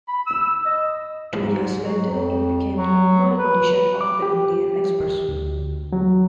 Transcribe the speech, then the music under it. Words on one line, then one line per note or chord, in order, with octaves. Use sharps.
Two years later it became the Mumbai edition of "The Indian Express".
B5
E6
D#5
G#2
F#3
F2
F#3
B4
D6
G4
D2
F#3